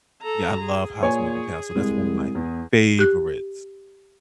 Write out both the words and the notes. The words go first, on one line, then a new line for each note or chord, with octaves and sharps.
Yeah, I love Howl's Moving Castle. That's one of my favorites.
A4 A#5
G#4
A#2 C#5 G#5
C2 G#3
E2
G4 F#6